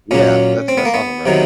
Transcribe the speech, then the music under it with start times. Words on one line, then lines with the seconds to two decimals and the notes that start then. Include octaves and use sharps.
Yeah, that's that's awesome, bro.
0.11 A#2 F#3 C#4
0.68 C4
0.77 B3
0.85 A#3
0.94 B3
1.26 C3 D#3 F#3